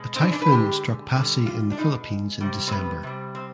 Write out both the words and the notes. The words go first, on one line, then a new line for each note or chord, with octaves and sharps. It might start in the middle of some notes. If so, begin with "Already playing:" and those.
A typhoon struck Passi in the Philippines in December.
Already playing: B2 G#3
C4
D4
D4
B4
D3 G#3 G4
D3 G3
F4
D4
B2 G#3 D#4
C3 G3
C4
B3
C3 G3
C4